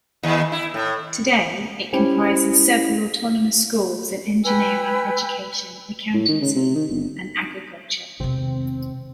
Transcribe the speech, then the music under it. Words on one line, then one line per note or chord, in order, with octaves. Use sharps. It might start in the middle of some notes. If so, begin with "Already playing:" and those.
Today, it comprises several autonomous schools in engineering, education, accountancy, and agriculture.
D#2
E4
A2
C#4 E4 G4 C5 G#5
B4 G5 G#5 E6
A2
D#3
C#3
C3
D#3
G1
E1 C3 D#3 C4